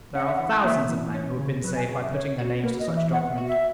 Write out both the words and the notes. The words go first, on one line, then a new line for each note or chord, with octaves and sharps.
There are thousands of men who have been saved by putting their names to such a document.
C#4 F#5
E5
F#5
E3
A#3 E5
E3
C#4
C#3 C#5
F#3 B4
G#5
C#3 G#5
E5
C#4 C#5
F#4
A#3 B4
D#5
E3
E5
B3 F#5
E5
F#4
E5